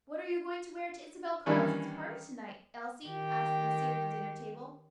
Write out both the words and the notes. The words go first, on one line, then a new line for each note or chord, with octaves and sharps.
"What are you going to wear to Isabel Carleton's party, to-night, Elsie?" asked Lucy, at the dinner table.
D#3 E3 G3 A#3 C#4 D4
D#3 G4